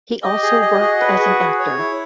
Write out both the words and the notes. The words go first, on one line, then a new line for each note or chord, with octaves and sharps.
He also worked as an actor.
G4 D#5
G#4
D#5
F#4 G#4
B4
G#4
G#4
C#5
E4